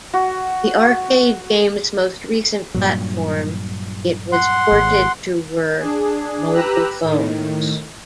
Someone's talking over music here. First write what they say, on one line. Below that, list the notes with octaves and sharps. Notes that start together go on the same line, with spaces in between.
The arcade game's most recent platform it was ported to were mobile phones.
F#4
G2 A#2 F#3
F#5 C6
G#1
D4 G#4
G4 B4 A#5 E6 F#6
A2 D#3